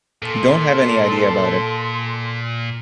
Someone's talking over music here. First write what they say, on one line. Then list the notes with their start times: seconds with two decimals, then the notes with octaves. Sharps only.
Don't have any idea about it.
0.22 A#2 A4 C6